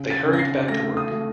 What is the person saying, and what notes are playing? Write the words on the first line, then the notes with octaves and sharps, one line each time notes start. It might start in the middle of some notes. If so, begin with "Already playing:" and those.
They hurried back to work.
Already playing: C#3
A6
C#3
A#6
C7
A3 A#6
D#6
A3